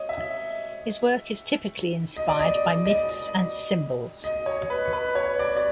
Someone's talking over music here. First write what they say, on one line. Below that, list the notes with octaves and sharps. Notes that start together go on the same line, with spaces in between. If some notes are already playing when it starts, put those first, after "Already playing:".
His work is typically inspired by myths and symbols.
Already playing: C#5 D#5
E5
D#5
D5
D#5
D#5
D#5
C#5
B4
B4
C#5
D5
D5